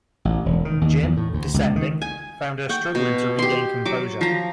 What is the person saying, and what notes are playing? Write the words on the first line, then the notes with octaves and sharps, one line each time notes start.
Jim, descending, found her struggling to regain composure.
A1
E1
D#3
D#2
E2
A2
D2
C#2
D#3
G#5
F#5 G5 C#6
B2
G4 C6
F#3 D6
F3 A#5